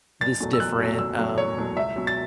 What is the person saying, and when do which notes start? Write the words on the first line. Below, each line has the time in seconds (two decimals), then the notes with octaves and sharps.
this different, um,
0.21 F#1 A6
0.40 E2 B2 F#3 A3
0.53 E6
0.60 F#1 F#6
0.79 E2 B2 F#3 A3
0.99 F#1 E6
1.18 E2 B2 F#3 A3
1.37 F#1 C#5
1.57 E2 B2 F#3 A3
1.77 C#2 E5
1.96 B2 F#3
2.07 A6